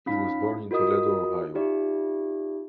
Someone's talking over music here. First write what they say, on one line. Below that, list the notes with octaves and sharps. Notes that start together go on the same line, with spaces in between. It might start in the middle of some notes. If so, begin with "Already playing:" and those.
He was born in Toledo, Ohio.
C#4 D#4 F4 F5 B5 B6
F4 F#4 A#4 D#5 D#6
D#4 F4 G4 D5 E5